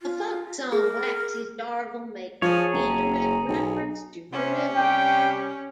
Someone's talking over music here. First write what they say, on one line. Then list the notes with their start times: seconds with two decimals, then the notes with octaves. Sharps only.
The folk song Waxies' Dargle makes an indirect reference to the river.
0.02 F4
0.72 G#4 A#4
2.42 F3 G#4 A4 C#5
2.73 F#1 A#5
3.48 B1
4.32 C3 C#4
4.75 C3 G3 G4 G5